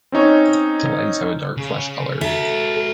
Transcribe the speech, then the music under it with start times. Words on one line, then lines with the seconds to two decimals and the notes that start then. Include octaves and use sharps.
The legs have a dark flesh color.
0.12 C4 C#4 D#4 C#5
1.57 C#3
2.21 F#4 A4 E5